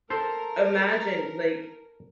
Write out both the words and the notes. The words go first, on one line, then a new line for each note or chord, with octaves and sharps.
imagine, like,
A4 A#4 C5